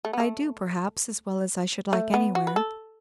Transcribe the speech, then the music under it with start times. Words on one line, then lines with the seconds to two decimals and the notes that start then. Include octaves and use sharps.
I do, perhaps, as well as I should like anywhere.
0.05 A3
0.13 B3
0.20 A3
1.93 A3
2.14 B3
2.35 F#4
2.47 B4
2.56 A4